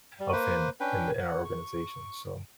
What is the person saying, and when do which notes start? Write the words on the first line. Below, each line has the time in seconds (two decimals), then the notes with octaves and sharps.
of him in the in our organization, so
0.20 G3
0.33 A#3 B4 C5
0.80 C#4 D4 B4 G5
1.20 F#5
1.45 C#6